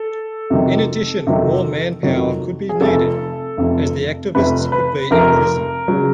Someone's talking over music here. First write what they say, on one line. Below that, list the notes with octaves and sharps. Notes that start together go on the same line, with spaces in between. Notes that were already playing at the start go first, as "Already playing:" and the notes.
In addition, more manpower could be needed as the activists could be imprisoned.
Already playing: A4
F2 C3 D#3 F#3
F2 C3 D#3 F#3
F2 C3 D#3 F#3
G#4
F1 F2 C3 A4
F1 F2 C3
F1 F2 C3 B4
B4
F1 F2 C3 A#4
C#3 F#3